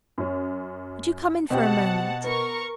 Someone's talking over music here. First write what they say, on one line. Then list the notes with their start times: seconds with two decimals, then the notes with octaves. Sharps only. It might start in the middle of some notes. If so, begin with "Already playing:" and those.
Would you come in for a moment?
0.18 F#2 C#4
1.50 B2 C4 G4 F#5 A5
2.24 B3 A#4 C#6